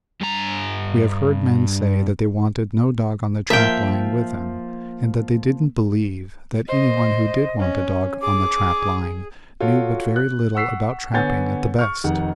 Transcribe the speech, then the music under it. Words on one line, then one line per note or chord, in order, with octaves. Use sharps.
We have heard men say that they wanted no dog on the trap line with them, and that they didn't believe that any one who did want a dog on the trap line knew but very little about trapping at the best.
G2 A#5
F3 A#3 A#4 E5 G5
C5 D#5
C#4
G#4 D6
F4 F#4 A4 C#5
F#6
F#5 C#6 E6 B6 C7
D3 B3 C#5 G#5 G6 A6
C#6 F6
F1 D#3 F#5